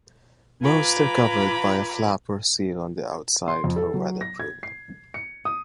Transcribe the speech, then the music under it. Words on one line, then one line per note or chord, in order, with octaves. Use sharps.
Most are covered by a flap or seal on the outside for weatherproofing.
F4 B4 G#5 A#5 B5 D6
C6
F2
A4
F#3
A#6
G#6
C7
C#7
D#6